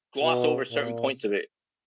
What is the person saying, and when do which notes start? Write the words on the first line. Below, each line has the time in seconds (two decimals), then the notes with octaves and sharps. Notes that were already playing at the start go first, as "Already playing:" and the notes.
gloss over certain points of it,
0.21 B2
0.71 A#2